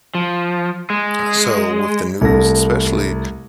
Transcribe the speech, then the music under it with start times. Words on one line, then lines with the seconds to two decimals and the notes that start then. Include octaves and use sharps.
On a so with the news, especially
0.15 F3
0.90 G#3
2.21 C2 A3 A4 A#6